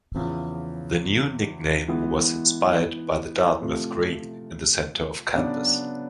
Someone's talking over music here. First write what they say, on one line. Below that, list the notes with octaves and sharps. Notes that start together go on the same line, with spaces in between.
The new nickname was inspired by The Dartmouth Green in the center of campus.
E2 C#3 F3
E3 G#3 B3
C3 F3 A3
C#3 F#3 B3 D4